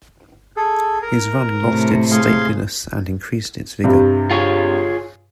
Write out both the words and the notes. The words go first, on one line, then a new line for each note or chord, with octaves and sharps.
His run lost its stateliness and increased its vigour.
G#4 A4
A#4
A2 C3
G#4 F5 C6
G2 C3
F4 G#4 C#5